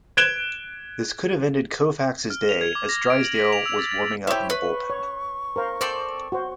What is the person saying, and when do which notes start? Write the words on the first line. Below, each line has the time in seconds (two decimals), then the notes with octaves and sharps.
This could have ended Koufax's day as Drysdale was warming up in the bullpen.
0.17 F#6 G#6 D7 E7 G7
2.30 F6
2.49 F7
2.61 G#6
2.75 D6
2.89 A#6
3.10 D7
3.25 F#7
3.37 B6
3.53 F7
3.66 E6
3.79 A6
3.91 A6
4.27 E4 G4 C5 C#5 E5
4.50 B4 C#6
4.90 C#5
5.56 A#4 C5 F5
5.81 C4 A4 C5 D5
6.32 F#4 C5